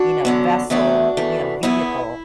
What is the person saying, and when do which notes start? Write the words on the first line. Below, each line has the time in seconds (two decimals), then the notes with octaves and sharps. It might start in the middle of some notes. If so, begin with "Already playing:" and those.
you know, vessel, you know, vehicle,
Already playing: D4 F#4
0.25 F#2 D3 B3
0.70 E2 E3 A3 D4 F#4
1.17 E2 E3 A3
1.63 E2 E3 B3 E4